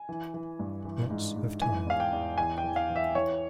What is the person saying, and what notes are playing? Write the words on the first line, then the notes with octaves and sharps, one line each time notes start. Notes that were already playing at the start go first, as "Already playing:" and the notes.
Lots of time.
Already playing: G#5
E3
E3
G2
E3
G#2
G#2
E3 G#5
E2 F5
G5
E2
E3 G#5
G5
E3
F5
E3
E5
E3 C#5